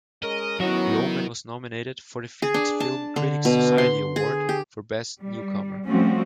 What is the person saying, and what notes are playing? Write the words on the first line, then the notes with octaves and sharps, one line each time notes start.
Lohman was nominated for the Phoenix Film Critics Society Award for Best Newcomer.
G#3 C#4 A#4 D#5
F#3 B3 C#4 D#4 E4 F#4 A#4 D#5
G#4
D4
A5
D3
B2
C6
G#4
G4
G3
F3 G3 A3 C4 C#4 F#4